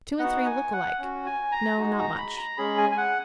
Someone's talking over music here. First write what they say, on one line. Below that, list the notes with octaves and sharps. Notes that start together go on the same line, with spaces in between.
Two and three look alike--no, not much.
B3 D#4 F#4 F#5
G#5
F#5
C#4 F#4
G#5
A#5
G#3 D#4 F#4
A#5
B5
A#5
G#3 C#4 G#4 B5
G#5
G#5
F#5